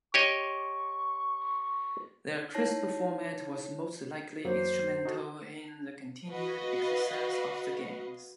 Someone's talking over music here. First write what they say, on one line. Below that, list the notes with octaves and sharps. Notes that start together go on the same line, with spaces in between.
Their crisp format was most likely instrumental in the continued existence of the games.
G4 C#5 D#5 C#6
D#4 E4 C#5 A5 A#6 C7
F#2 F#3 A#3 C5
D#4 F#4 A4
F#4 B4 D#5 F5